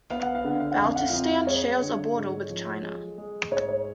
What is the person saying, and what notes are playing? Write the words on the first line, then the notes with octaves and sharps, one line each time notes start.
Baltistan shares a border with China.
B3 F5
F#5
F5
D3 F#5
F5
F#5
F2
F5
F#5
F2 F4 F5
G#3 C#5
D3
G#2
F3
G#3
G#3
G#2 C#5
C#5